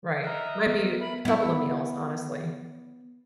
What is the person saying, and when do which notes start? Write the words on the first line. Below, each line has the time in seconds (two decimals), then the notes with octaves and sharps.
Right, might be a couple of meals, honestly.
0.24 D#5 E5 A#5 F6 F#6
0.66 B3
1.00 A#4 E5 B5
1.25 B3 E4